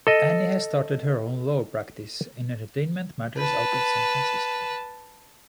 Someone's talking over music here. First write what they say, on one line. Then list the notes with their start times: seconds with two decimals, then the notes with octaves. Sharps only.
Annie has started her own law practice in entertainment matters out of San Francisco.
0.07 A4 D#5
3.37 B4 A5